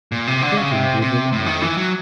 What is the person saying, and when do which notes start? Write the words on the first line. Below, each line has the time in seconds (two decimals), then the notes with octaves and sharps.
Canton did him honor.
0.12 A#2
0.27 C3
0.42 D3
0.57 C#3
0.72 C3
1.02 C3
1.32 A2
1.46 D#3
1.61 E3
1.77 F#3